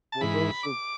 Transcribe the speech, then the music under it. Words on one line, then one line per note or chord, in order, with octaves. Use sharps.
Well, those are
A5
G#2 E3 B5
D6